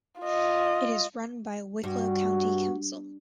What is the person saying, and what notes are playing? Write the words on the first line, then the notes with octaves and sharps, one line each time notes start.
It is run by Wicklow County Council.
F4 D#5
G2 F#4